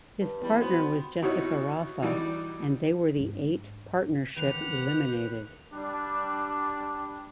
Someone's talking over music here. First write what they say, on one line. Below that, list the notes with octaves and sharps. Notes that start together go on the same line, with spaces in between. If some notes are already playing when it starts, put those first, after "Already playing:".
His partner was Jessica Raffa and they were the eight partnership eliminated.
G2
E2 G3
F#3 B3 C4
B2 D#4 E4 F#4 C#5
E3 G3 D#4 F#4 D5
G#2 D4
E2 D#3 G4 A#4 B4 F#5 F7
G3 D4